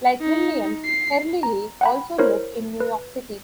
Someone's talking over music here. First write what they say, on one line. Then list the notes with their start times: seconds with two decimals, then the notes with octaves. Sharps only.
Like Williams, Herlihy also lived in New York City.
0.21 D#4
0.85 C7
1.43 A#5
1.81 F#5 G5 B5
2.18 E4 A#4 C5 C#5
2.80 B4